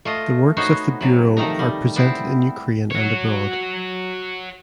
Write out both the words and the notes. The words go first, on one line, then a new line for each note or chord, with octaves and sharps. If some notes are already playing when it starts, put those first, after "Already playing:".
The works of the bureau are presented in Ukraine and abroad.
A3 F4 D#5
B3 D#4 F#4 C5 C#5
C3 F#3
D#3 F3 A3 D#4 A#5
G3
B3 C4 E4
F#4 C#5